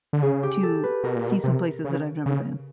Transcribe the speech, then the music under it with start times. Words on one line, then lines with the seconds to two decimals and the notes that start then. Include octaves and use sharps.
to see some places that I've never been.
0.13 D3
0.22 C#3 G#4
0.43 G4
0.63 A4
0.83 B4
1.04 B2 A#4
1.16 A#2
1.29 B2
1.44 C3
1.85 C#3
2.26 C#3